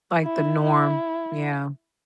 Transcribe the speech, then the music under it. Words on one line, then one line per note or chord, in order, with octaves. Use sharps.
Like the norm. Yeah.
E4
E4